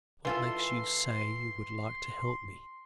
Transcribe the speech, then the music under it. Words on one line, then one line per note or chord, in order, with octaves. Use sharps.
What makes you say you would like to help me?
E3 F4 A4 C6